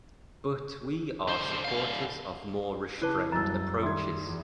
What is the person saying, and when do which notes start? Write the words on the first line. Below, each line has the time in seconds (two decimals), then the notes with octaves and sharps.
But we are supporters of more restrained approaches.
1.28 D3 C5
1.65 D3 F5
3.02 C#3 E4 B4 A5 D6 F#6
3.32 F#1 C2 F#2 E6 A6
3.82 D#3 G3 E5 C6 D#6 G#6
4.27 E2